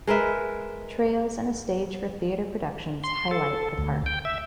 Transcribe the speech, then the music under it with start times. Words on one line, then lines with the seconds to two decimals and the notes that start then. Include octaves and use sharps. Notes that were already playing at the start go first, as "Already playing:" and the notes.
Trails and a stage for theatre productions highlight the park.
0.07 G#3 A#4 B4 E5
3.04 C6
3.31 A4
3.78 D2
4.06 G5
4.25 E5